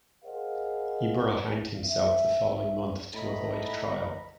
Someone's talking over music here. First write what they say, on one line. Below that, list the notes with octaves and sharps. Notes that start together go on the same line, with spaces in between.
Eberl hanged himself the following month to avoid trial.
G#4 A#4 C5 D#5 F5 F#5
E5
A2 D#5 A#5 B5